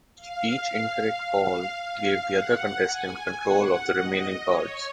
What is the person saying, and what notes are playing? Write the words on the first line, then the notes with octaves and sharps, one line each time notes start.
Each incorrect call gave the other contestant control of the remaining cards.
F5
F5
F5
F#5
G#5
F#5
D#5
C#5